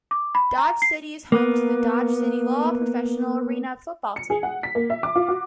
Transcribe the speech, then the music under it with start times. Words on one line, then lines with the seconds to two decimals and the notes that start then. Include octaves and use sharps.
Dodge City is home to the Dodge City Law professional arena football team.
0.11 D6
0.35 B5
0.58 A#5
0.82 C7
1.32 A#3 B3
4.16 C#7
4.30 G#4
4.43 F#5
4.63 B6
4.75 A#3
4.90 E5
5.03 D6
5.15 F4
5.28 F#4